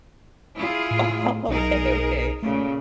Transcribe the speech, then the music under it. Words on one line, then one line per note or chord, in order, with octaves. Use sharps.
Oh, okay, okay,
E4 F4 G#4
A2
B1 D#4 G#4 A#4
A#2 C#3 A3